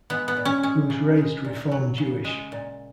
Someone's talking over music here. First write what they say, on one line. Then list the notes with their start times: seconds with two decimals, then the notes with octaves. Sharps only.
He was raised Reform Jewish.
0.10 G#3 B3
0.28 B3
0.37 A#2
0.45 C#4
0.63 G#3 C#4
0.90 C#3
1.17 G#3
1.45 A#2
1.72 F#3
1.98 C#3
2.25 G#3
2.52 A#2